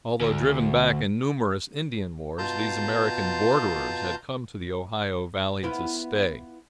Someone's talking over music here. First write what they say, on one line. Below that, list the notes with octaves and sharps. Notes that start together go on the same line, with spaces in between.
Although driven back in numerous Indian wars, these American borderers had come to the Ohio valley to stay.
D2
B2 F4 A5 A#5 C6 G6
B3 E4 F4